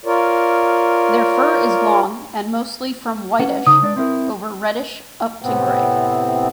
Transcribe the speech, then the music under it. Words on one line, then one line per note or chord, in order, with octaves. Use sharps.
Their fur is long and mostly from whitish over reddish up to grey.
F4 A#4 C#5 D5
C#4 B4 F#5
C#3 D#4 D#6
G#3 D4 D5
C4 E4 A#4
A2 C3 B3 C4